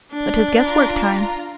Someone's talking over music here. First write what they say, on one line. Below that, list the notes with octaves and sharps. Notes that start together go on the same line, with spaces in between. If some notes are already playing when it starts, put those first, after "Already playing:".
"But 'tis guesswork time."
D4
F4 A#5